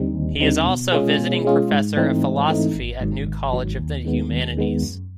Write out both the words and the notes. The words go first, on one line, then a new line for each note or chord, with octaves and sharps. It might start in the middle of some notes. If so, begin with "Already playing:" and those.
He is also Visiting Professor of Philosophy at New College of the Humanities.
Already playing: D#2 D3 G3 C4 D#4
D#2
D3 G3 C4 D#4
B2
G#3 C#4 F4 G#4
B2
G#3 C#4 F4 G#4
G#2
E3 A3 C4 D#4
G#2
E3 A3 C4 D#4
G#1
G#2 D#3 F#3
G#1
G#2 D#3 F#3
D#2
D#3 G#3 B3
D#2
D#3 G#3 B3
F#2